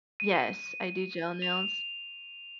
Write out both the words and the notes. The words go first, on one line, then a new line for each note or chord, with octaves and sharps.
Yes. I do gel nails,
D#7
F7